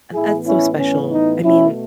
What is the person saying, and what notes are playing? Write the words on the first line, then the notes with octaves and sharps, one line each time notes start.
Uh, that's so special. I mean
A2 E3 B3 E4 G#4
C#4 E4
C#4
D#4
B2 A3 C#4 E4